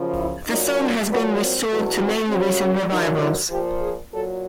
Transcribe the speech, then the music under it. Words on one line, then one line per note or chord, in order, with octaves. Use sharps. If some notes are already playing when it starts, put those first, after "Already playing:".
The song has been restored to many recent revivals.
Already playing: F#2 C#3 F3
E4
A#2 F#3 D#4
D4
A#2 F#3 B3
C4
E2 B2 F#3
C4
F#2 C#3 F#3 C4
C#4
G2 D#3 F#3 D#4
E4
A#2 F3 G4
G#4
A#2 F#3 A4